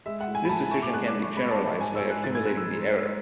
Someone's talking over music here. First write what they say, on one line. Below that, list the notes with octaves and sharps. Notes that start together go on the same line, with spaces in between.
This decision can be generalized by accumulating the error.
G#3 E5
F#5
A2
G#5
B5
A2 A5
A2 C#6
D6
G#3 F#6
D6
G#3
C#6
G#3 B5
A5
G#3
A5
G#2 G#5
E6
G#2
F#6
G#2 A6
G#6
G#2 F#6
E6
G#3
G#3